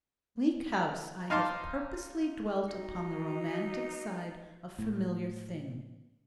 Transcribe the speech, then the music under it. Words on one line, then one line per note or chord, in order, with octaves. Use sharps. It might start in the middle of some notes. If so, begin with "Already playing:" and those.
In Bleak House I have purposely dwelt upon the romantic side of familiar things.
D#4 F5 A5 C6 D6
D#4 F#4
A2